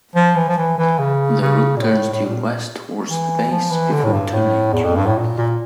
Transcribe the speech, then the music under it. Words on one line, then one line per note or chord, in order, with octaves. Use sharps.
The route turns due west towards the base, before turning due north.
F3
E3
F3
E3
E3
C#3
C#3
A#2
A2
A2
A#2
E3
F3
E3
D3
A2
G2
A2
E2
F2
G2
A2
A#2
A#2